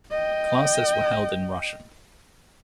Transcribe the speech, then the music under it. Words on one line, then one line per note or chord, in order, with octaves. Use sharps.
Classes were held in Russian.
D#5 G5